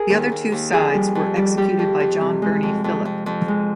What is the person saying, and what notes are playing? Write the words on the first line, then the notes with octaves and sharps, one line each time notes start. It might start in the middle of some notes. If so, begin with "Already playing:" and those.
The other two sides were executed by John Birnie Philip.
Already playing: G#4 A#4
D#2
D#2
D#2
F2 G#4
G3
F2
G3
G3 G4
F2
F2
C3
G#3
F2
F2
F2
F2
G#3